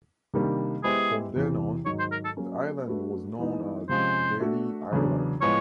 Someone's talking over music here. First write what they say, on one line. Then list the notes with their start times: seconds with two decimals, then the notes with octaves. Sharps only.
From then on, the island was known as Bailey Island.
0.34 C3 D#3 G3 A#3 D4
0.84 G#3 B3 E4 G4 G#4 C5
1.35 E2 C3 E3
1.86 G#2 D#3 F#3 C#5
1.99 C5
2.12 A#4
2.25 A4
2.37 F#3 A#3 C#4
2.88 A3 D4 F#4 B4
3.38 E3 G#3 B3 D#4
3.89 C3 F3 G#3 C#4 C5
4.40 A3 D4 F#4
4.91 E2 C#3 F#3 B3 D4
5.41 A2 F3 G#3 B3 C#5